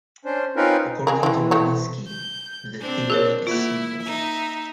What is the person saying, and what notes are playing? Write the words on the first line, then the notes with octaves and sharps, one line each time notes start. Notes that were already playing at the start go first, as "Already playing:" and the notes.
According to Wanniski, the theory is simple.
C#4 D4 C5
C4 C#4 D#4 F4 A#4 B4
C4 G#4 A#4
E3 G#3 C4
A3 C4 C#5
G6
C4 D4
G#4 A#4 C#5
A#3 E4 F4
D#4 E5